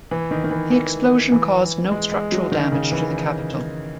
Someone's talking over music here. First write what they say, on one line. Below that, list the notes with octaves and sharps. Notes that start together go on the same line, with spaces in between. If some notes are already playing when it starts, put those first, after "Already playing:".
The explosion caused no structural damage to the Capitol.
E3
D#3
D#3
E3
E3
E3
G#3
G#3
F#3
D#3
C#3
E3